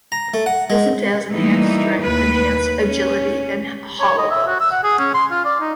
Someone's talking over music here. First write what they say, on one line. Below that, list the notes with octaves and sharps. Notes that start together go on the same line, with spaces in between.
This entails enhanced strength, enhanced agility, and hollow bones.
A#5
A3
F#5
G#3
E3 G3 A3 A#3 D#4
D#2 B4
C#4
C#5
D#5
E5
F#4
E6
F#5
G#4
C#4
C6
F4
D5
D#4